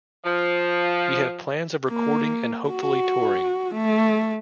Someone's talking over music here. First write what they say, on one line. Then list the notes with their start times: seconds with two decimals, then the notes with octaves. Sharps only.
We have plans of recording and hopefully touring.
0.24 F3
1.90 A#3
2.70 F#4
3.74 A3